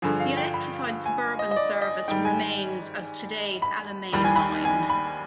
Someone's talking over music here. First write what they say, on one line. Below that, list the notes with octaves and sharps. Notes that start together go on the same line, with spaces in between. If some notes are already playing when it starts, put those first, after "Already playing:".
The electrified suburban service remains as today's Alamein line.
G2 D3 F3 G#4
F5
G5
B5
G#5
D#5
D#5
D5
D#5
G#2 D#3 G3 G5
G#5
B5
D#2 D#3 G3 B5
G#5
B5
G#5
B5